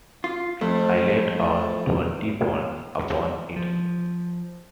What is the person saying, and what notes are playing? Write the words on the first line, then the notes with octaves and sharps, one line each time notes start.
I laid out twenty pounds upon it.
F4
F2 A3
F3